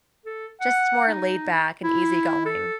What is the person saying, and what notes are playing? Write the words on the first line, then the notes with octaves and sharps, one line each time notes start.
just more laid back and easy-going.
A4
F#5
D#4
E4
A4